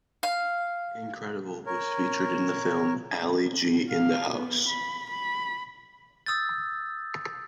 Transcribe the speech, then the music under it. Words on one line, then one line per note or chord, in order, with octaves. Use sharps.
"Incredible" was featured in the film "Ali G Indahouse".
F5
A#4 C#5
F5
B3
B5
B5
D#6 E6 G6 A6